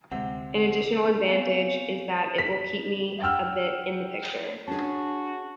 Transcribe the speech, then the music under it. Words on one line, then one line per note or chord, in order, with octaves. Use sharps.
An additional advantage is that it will keep me a bit 'in the picture'.
D2 C3 G#3 C4 F#5
B3 C4 C#5 F5 G#5
B6
F#5 G5 E6 F6
C#4 D4 F#4 G#4 A5